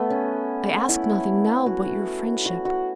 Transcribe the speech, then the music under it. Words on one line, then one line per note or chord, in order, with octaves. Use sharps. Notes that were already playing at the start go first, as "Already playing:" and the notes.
I ask nothing now but your friendship.
Already playing: A3 B3
C#4
E4
F#4
F#4
F#4